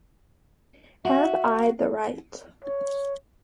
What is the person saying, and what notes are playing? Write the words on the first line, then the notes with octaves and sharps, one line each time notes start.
Have I the Right?
F#4 E5
C#5